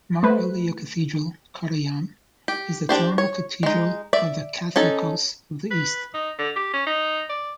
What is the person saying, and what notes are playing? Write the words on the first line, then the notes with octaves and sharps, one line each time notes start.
Mar Elia Cathedral, Kottayam is the Thronal Cathedral of the Catholicos of the East.
A3 B4 C5
G4
D4 G4 C5
C#5
G#3 D#4
D5 E5
C#4 D#4 A4
B4
D#4
D3
G4
C#4
D#4
D5